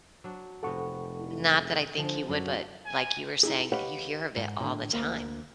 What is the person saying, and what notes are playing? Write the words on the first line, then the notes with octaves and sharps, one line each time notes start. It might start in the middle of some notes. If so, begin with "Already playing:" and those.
Not that I think he would, but like you were saying, you hear of it all the time.
F#3 D4
F1 C3 B3 A4 D5 F#5 C#6
G#4
D3 F3 G#3
F#2 F#3 D4 A#4
G#5
D#4 E4 G#4
G4 B4 C#5 D#5 F5 F#5
G#2
A2 D3
D2 A#3